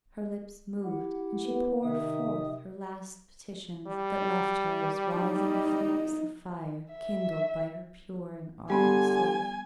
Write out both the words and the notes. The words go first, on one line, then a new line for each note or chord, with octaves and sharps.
Her lips moved, and she poured forth her last petitions, that left her as rising flakes of fire, kindled by her pure and ardent soul.
E4 G4 F#5
B3
C3 D#3 E5 D#6
G3
D#4
E5
D3 G3 B3 G4 G#5 C6